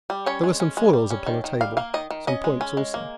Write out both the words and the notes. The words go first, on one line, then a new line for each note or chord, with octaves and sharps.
There were some foils upon a table--some points also.
G3
C#4 C#5
G#3
C#4
G#3
G3
C#4
D#3
D#3
G3 F5
A#3 F5
D#3 D#5
D#3
C#4 D#5
G#3
C#4
G#3
A#3